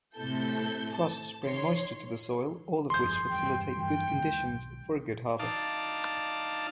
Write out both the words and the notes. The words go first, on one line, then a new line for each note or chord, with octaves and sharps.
Frosts bring moisture to the soil, all of which will facilitate good conditions for a good harvest.
A2 C3 E4 A4 G6
A5
D#3 C#5 C6
G1 F2 G#4 C6 G6
E2 G2 G5
G2 E3 G5
D#2 G#2
B1
D#4 D5 F5 A5